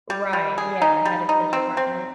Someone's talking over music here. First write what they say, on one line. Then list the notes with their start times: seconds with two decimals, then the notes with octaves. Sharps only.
Right, yeah, head of the department.
0.10 G3
0.33 G3
0.58 G#4
0.82 D#4
1.05 G3
1.29 D#4
1.53 C4
1.77 C4